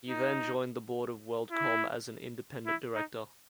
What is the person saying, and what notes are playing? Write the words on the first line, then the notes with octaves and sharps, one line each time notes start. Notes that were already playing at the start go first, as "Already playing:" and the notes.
He then joined the board of WorldCom as an independent director.
D#4
E4
E4
D#4